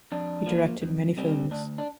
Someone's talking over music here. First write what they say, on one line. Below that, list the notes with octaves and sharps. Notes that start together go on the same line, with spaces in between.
He directed many films.
F2 D4
F3 A#3
F2
C3 G3 C4
D2 D4
D4